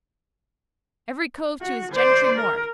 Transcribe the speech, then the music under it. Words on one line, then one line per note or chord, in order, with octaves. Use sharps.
Every cove to his gentry mort.
F#4
C5 D5
A#4